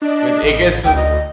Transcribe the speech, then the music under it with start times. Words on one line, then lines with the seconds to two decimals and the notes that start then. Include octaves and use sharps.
It it gets to
0.02 D4 D#5
0.43 A1
0.85 D2 G5
0.96 D#5